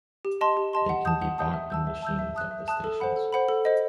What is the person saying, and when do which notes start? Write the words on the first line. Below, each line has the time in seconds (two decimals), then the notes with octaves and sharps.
They can be bought in machines at the stations.
0.25 G4
0.41 D#5 A5 C6
0.57 G4
0.73 D#5 A5 C6
0.89 F#5
1.05 A5 D#6 G6
1.22 F#5
1.38 A5 D#6 G6
1.53 E5
1.70 A5 E6 G6
1.87 E5
2.02 A5 E6 G6
2.19 E5
2.35 A5 D#6 F#6
2.51 E5
2.68 A5 D#6 F#6
2.84 A4
3.00 C5 F#5 B5
3.16 A4
3.32 C5 F#5 B5
3.48 A4
3.65 C5 D#5